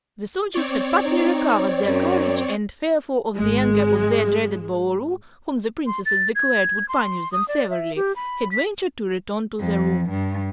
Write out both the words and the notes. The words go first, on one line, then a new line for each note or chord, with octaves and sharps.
The soldiers had partly recovered their courage and, fearful of the anger of their dreaded Boolooroo, whom the Princesses declared would punish them severely, had ventured to return to the room.
C4 C#5 D5
D#4
F#2
G#1 G#3
C6
A6
G#6
C6
D#6
D5
E5
G4
B5
B6
F2
G2